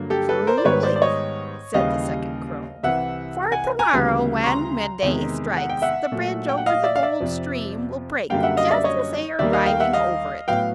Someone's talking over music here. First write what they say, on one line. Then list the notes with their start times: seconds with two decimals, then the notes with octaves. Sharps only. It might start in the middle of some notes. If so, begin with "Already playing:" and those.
'Truly,' said the second crow; 'for to-morrow, when midday strikes, the bridge over the Gold Stream will break just as they are driving over it.
Already playing: G2 D3 F#3 A#3
0.10 G4 A4
0.29 A4 B4
0.47 A#4 C5
0.58 D5
0.65 G#2 D#3 G3 B3 B4 C#5
0.83 C5 D5
0.96 D5
1.02 C#5 D#5
1.74 D#2 C#3 E3 G3 D#5 F5
2.83 C2 C3 E3 E5 F#5
3.52 F#5 G#5
3.79 G#5 A#5
3.93 D2 C#3 E3 G3 B3
4.43 C#6
4.47 A#5 C6
5.02 E2 C3 D#3 G#3
5.57 F#5
5.70 G5
5.82 E5 F#5
6.12 A#2 F#3 A3
6.49 G5
6.57 F#5
6.66 D#5 F5
6.84 D5 E5
6.96 F5
7.03 D5 E5
7.20 F2 C3 F3
8.30 F#2 D3 G3 A#3 F5 G5
8.43 E5 F#5
8.57 D#5 F5
8.71 D5 E5
8.84 C#5 D#5
9.39 D#2 D#3 G3 A#3 D5 E5
9.53 D#5 F5
9.66 F5 G5
9.80 E5 F#5
9.93 D#5 F5
10.48 A2 F#3 B3 F5 G5